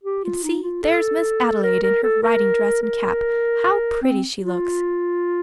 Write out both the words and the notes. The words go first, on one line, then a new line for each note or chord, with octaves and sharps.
And see, there's Miss Adelaide in her riding-dress and cap; how pretty she looks!
G4
F4
D#4
F4
A4
A#4
A#4
A4
A#4
A#4
C4
F4